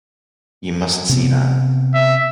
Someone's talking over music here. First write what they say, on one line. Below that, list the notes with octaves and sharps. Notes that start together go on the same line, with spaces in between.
You must see that?
C3 B3
E5